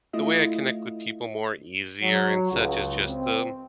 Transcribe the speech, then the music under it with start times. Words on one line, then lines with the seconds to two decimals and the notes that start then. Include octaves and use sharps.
The way I connect with people more easier and such is just, um
0.13 A3 E4 F4 D#5
2.02 F#3
2.52 C#2
3.08 C4